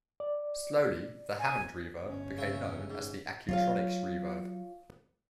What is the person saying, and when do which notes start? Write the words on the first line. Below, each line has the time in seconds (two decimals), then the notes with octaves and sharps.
Slowly the "Hammond Reverb" became known as the "Accutronics Reverb".
0.20 D5
1.39 G#5
2.05 G1 C#4
2.38 C#3 E5
2.90 G#2
3.49 F#3 F4 C#5 F5